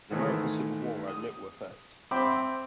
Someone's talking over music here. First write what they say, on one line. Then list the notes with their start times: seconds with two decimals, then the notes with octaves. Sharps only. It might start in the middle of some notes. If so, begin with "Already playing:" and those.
The American Civil War had little effect.
0.11 G#2 D#3 E3 G#3 A3
1.08 D#6
2.11 C4 C5 E5 G5 B5 D6